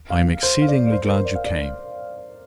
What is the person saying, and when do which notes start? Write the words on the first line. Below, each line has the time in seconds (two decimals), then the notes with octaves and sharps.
I am exceedingly glad you came.
0.10 F5
0.43 C5
0.62 F5
0.68 D5
0.87 D5
0.92 C5
1.04 A#4
1.09 C5
1.25 D5
1.35 F5
1.45 D5